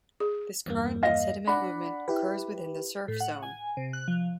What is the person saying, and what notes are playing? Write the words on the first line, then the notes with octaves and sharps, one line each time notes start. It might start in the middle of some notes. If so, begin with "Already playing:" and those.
This current and sediment movement occurs within the surf zone.
G#4
E2 G2 A#3
D#5 F5 A#6
D4 D5 F#5 B5
E4 G4 B4
A2
F#5
G#5
C3
F#6
F3